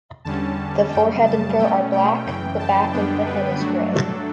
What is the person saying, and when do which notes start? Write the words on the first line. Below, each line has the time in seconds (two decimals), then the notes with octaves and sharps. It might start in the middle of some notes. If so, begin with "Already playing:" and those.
The forehead and throat are black; the back of the head is grey.
0.25 E2 D3 G3 C#4 A5
0.92 F#2 C#3 G3 G5
1.26 A5
1.58 B2 A3 C#4 G5
1.92 G5
2.26 F#2 C#3 E3 G5
2.59 A5
2.92 F#2 D3 G3 B3 D4 G5
3.26 B4
3.59 G2 F#3 A3 D4 F#4
3.93 A4